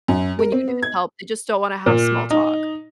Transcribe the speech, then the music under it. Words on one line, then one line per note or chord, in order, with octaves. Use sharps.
when you need help, they just don't wanna have small talk.
F#2
A#4
C4
B3
G#6
A#2
D#4